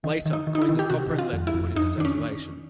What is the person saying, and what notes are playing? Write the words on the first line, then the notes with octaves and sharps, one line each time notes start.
Later, coins of copper and lead were put into circulation.
D#3
D#3
D#4
D#3
D#4
E4
D#3
G4
C3 F#4
D#3
F4
F2
E4
F2
F2 D#4
D#3 D4
C#4